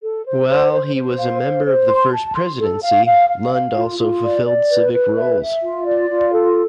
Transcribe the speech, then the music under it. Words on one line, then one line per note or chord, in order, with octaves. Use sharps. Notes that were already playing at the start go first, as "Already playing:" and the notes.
While he was a member of the First Presidency, Lund also fulfilled civic roles.
A4
C5
C5
C5
C5
F5
C5
C5
C6
A5
C6
A4
F5
F5
F5
F5
F4
F4
D5
D5
B4
B4
E5
E5
F4
D5
F4
A4